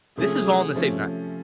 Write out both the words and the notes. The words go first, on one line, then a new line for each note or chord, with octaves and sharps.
This is all in the same night
C3 F3 A3 C#4 G#4
C3 F3 A3 C#4